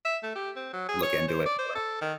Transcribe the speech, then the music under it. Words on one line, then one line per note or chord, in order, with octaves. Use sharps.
look into it more.
E5
A3
G4
C4
F#3
G#4
C#5
C5
D5
C5
A4
D#3